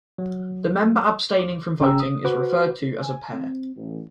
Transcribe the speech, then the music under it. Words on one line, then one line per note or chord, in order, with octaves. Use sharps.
The member abstaining from voting is referred to as a pair.
F#3
D6
G1 C#3 C#4 G5 A#5 E6
D#6
F#4 B4 C5 D6
G#5
C4
A1